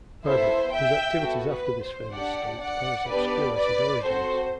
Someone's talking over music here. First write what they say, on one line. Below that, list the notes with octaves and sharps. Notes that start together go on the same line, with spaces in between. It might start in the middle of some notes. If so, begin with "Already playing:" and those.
However, his activities after this famous stunt are as obscure as his origins.
B3 E4 A4 C5 E5
E5 G5
B3 F#4 A4
B4
C5
D4 G4 D5 F#5
D5 F#5
B3 D4 G4 B4 D5
B4 D5
C4 F#4 A4 C5